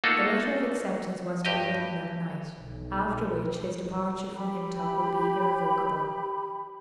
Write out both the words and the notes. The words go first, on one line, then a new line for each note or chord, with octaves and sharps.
The letter of acceptance was to be written that night, after which his departure from Hintock would be irrevocable.
A3 A#3 D#4 F4 F#4 A4
G2 G4 D#5
B1
G4 B5